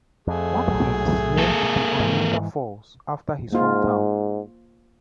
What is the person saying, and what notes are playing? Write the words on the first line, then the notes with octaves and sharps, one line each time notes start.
Watkins named the Oneonta Falls after his hometown.
F2 A3 G#4
B1 A2 F#3
A#3 A4
G#2 E3
G#2 A#3 F4